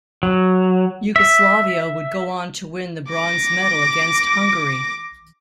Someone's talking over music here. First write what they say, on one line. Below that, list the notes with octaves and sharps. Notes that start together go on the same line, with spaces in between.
Yugoslavia would go on to win the bronze medal against Hungary.
F#3
E5
D6 A#6